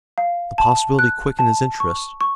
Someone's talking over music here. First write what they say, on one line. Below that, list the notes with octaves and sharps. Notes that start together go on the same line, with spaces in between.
The possibility quickened his interest.
F5
A5
F#6
A5
C#6
C#6